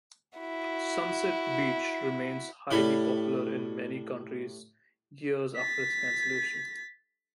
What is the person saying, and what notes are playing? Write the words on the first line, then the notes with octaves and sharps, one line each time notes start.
"Sunset Beach" remains highly popular in many countries years after its cancellation.
E4 F#4
A2 G3 B5
A6 B6